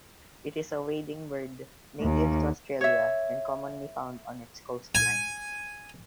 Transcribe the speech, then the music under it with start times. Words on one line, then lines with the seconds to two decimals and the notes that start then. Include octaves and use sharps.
It is a wading bird native to Australia and commonly found on its coastline.
2.01 D#2
2.81 C#5 E5
4.95 G#5